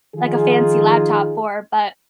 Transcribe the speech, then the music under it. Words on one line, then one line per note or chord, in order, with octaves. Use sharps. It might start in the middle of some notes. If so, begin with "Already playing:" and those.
like, a fancy laptop for, but.
D#3 F3 D#4 F4 G#4